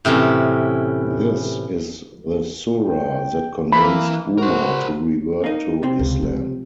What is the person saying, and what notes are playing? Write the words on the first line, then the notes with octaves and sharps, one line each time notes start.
This is the Sura that convinced Umar to revert to Islam.
A2 C3 E3 C#4
G5
E3 A#3 B5
F#4 A#4 C5
A#3 D#4
C3 C4
C#2
F3